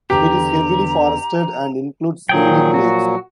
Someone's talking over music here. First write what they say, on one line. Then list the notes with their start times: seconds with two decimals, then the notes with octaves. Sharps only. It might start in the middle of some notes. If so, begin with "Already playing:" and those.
It is heavily forested and includes scenic lakes.
0.10 E2 D3 G4 A#5
2.29 A#2 D#3 F3 F#3 G#4 G5
2.74 F#4